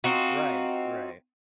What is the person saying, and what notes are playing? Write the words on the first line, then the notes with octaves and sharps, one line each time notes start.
Right, right.
C4 D#4 F4 F#4